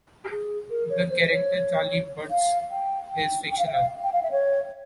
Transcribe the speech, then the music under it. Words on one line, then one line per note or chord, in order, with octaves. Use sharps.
The character Charlie Butts is fictional.
G4
G#4
A#4
C#5
C5
C#5
F5
G5
G5
G5
F5
E5
F5
G5
F5
E5
C#5